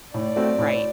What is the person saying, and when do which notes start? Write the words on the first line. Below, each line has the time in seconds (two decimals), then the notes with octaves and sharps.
You're right.
0.14 A2 D5
0.36 A3 C4 F#4
0.59 A2